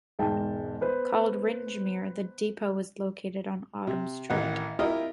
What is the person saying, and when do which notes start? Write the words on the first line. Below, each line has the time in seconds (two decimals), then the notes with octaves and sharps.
Called "Rindgemere", the depot was located on Autumn Street.
0.19 E1 G#2 G5 A5
0.81 B3 B4 C5
3.87 C3
4.30 A1 D#3 D#4 F#5
4.79 E4 F4 G4 A#4 D#5